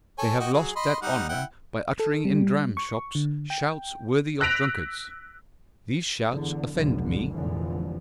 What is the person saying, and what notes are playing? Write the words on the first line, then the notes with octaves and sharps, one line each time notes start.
They have lost that honor by uttering in dramshops shouts worthy of drunkards. These shouts offend me.
A4 C#5 G#5
F#4 D#5 G5
F#3 G#4
D#5 B5 C6
G3 D#4 F#5
E4 F#5 G5
A4
G3
C#6
D3
G5
E6 F#6 A#6 B6 D7 F7
E2 D3
F1 B1 A2 D3
F1 C#2 A#2 D3 E3 F3